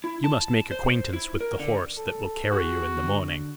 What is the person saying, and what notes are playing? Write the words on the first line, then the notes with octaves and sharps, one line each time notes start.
"You must make acquaintance with the horse that will carry you in the morning!"
E4
A5
C5
E4
A#4
D3
A4
F#4 G#4
D3